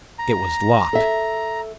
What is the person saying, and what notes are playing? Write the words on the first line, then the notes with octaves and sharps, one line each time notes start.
It was locked.
A#5
A4 E5